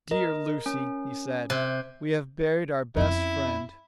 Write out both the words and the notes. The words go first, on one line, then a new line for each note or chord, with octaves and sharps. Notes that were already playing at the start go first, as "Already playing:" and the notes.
"Dear Lucy," he said, "we have buried our best friend."
A#4 D#5
C#4
C3 F#6 G#6
F2 C#4 E4